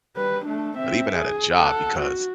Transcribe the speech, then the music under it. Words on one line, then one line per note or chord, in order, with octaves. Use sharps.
but even at a job, because
G3 B4
A3 D4
C4 E5
G#4
A4 F#5
F#4